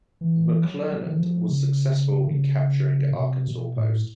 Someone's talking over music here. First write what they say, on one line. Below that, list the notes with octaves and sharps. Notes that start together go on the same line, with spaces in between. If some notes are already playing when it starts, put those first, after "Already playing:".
McClernand was successful in capturing Arkansas Post.
E3
F#3
F#3
D#3
E3
F3
C#3
D3
C#3
B2
C3
B2
A2